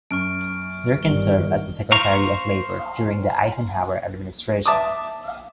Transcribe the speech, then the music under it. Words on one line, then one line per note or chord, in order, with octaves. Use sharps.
Durkin served as the Secretary of Labor during the Eisenhower administration.
F#2 C#6 F6 D7
G1 D#3 G3 G7
C5 F5 A#5 C#6
E5 A5 D6 D#6